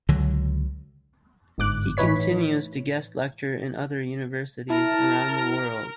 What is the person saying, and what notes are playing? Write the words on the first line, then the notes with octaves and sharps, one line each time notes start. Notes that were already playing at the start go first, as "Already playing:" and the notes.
He continues to guest lecture in other universities around the world.
C#2 D3 F#3
G1 G#2 D6 F#6
A2 E3 D#4 B4 C#5 B6
E4 A#4 A5